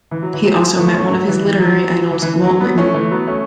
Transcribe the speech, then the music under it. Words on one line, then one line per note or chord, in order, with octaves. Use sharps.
He also met one of his literary idols, Walt Whitman.
E3
F#3
E3
F#3
E3 A3
A3 C#4
F#3
E3
E3
F#3
E3
E3
E3
F#3
F#3 B3
A3 C#4
E3 A3
F#3 B3
A3 C#4